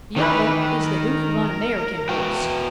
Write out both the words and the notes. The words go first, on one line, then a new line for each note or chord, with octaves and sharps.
The other is the hoof of an American horse.
D#3 E3 B4
A#4
F#4 B4 G5